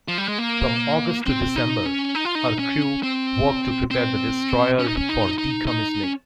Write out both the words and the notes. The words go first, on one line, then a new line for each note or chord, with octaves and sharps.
From August to December, her crew worked to prepare the destroyer for decommissioning.
F3
G3
G#3
A#3
C4
D#4
C#4
D#4
F4
D#4
C#4
C4
C4
C#4
D#4
C#4
D#4
D#4
D#4
C#4